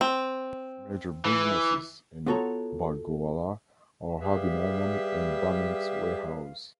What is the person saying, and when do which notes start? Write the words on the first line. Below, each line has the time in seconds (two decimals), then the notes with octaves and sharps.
Major businesses in Balgowlah are Harvey Norman and Bunnings Warehouse.
0.01 C4
1.25 E3
2.26 B3 F4 F#4 A4 C#5 A#5
4.21 G3 G4 G#4 B4 E5 F5